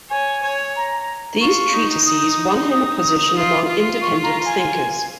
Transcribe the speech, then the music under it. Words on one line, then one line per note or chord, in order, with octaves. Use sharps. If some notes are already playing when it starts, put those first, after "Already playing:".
These treatises won him a position among independent thinkers.
C#5 G#5
C#5
A#5
F4 C#6
D#4
D#6
D#6
F4
F4
C#6
A#5
G#5